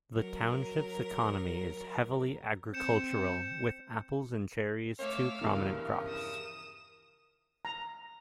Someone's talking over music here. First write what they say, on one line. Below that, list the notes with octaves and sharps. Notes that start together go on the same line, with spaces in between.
The township's economy is heavily agricultural, with apples and cherries two prominent crops.
F#3 A#4
C4 G6 C#7 E7
A3 C#5 F5 D6 E6
E2 G2 C#3 E3 F3 A#4
D#6 E7
A#5